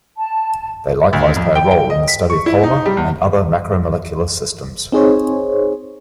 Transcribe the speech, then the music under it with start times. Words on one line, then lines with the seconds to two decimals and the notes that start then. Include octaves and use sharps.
They likewise play a role in the study of polymer and other macromolecular systems.
0.17 A5
1.13 D2
1.36 F2
1.55 G5
1.71 G5
1.90 D#5
2.08 B6
2.30 C#6
2.46 E4
2.63 D#4
2.86 G3
2.97 E2
4.92 C4 D#4 G#4 C5 C#5